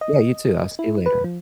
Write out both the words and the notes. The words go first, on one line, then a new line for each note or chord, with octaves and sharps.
Yeah, you too. I'll see you later.
D#5
E4
B4
F3